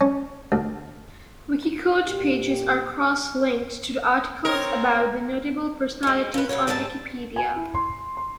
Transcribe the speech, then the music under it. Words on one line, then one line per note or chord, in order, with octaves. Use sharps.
Wikiquote pages are cross-linked to articles about the notable personalities on Wikipedia.
C#4
D2
A#2 G4
C4 A#4 C#5
B2 G#3
F3 B4
B2 G3 F#4 C#5
G#2 G3 C4 C#4 A#4 A5
G#5
E4
C6
C6